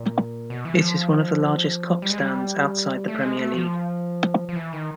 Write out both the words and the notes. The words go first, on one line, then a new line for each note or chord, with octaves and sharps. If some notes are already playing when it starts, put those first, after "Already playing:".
It is one of the largest Kop stands outside the Premier League.
Already playing: A#2
B2
E3
F3
G3
G#3
G3
A3
G#3
A3
F3
F3
E3
D#3